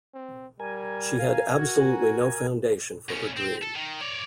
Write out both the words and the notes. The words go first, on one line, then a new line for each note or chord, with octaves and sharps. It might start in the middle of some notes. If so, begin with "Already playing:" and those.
She had absolutely no foundation for her dream.
C4
G3 A#4 G#5
F5
F#4
B2 C#4
C4
A4
D#3
C#5 D5